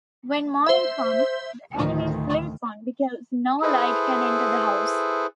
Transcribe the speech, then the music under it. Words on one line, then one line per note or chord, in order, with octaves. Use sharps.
When morning comes, the enemies sleep on, because no light can enter the house.
C5 E5
A1 D2 D#3 F3
E4 G#4 A4 B4 C5